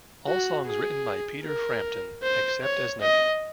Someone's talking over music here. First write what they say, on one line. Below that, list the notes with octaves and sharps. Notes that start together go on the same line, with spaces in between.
All songs written by Peter Frampton except as noted.
F#4
G#4
A#4
C5
C#5
D#5